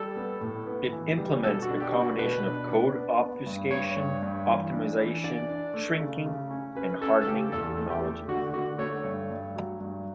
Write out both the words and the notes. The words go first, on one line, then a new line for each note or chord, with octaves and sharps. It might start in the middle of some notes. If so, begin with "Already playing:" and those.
It implements a combination of code obfuscation, optimization, shrinking, and hardening technologies.
Already playing: G3 A4
B3
A2
B3
E3
G3
B2 A4
F#4
D4
G4
B3
F#4
B2 B4
D4
D4
B3
B3
G2
G2 C#5
G2
G2
E3
D4
E3
D4 D5
D4
A3
C#3
C#3
C#4
C#4 B4
C#4 A4
A4
C#3 G4
E2 A4
A4
A3
G4
A3
D3 F#4
D3 F#4
A3 C#5
G2
G2
F#3
G2